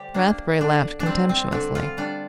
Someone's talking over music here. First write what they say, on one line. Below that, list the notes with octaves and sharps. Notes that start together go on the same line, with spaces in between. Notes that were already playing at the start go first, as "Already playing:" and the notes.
Rathbury laughed contemptuously.
Already playing: D3 G3 G4 C5
A#3 D4
D3 D4
D4
G3 C4
C4
D3 D4
F4
G3 D4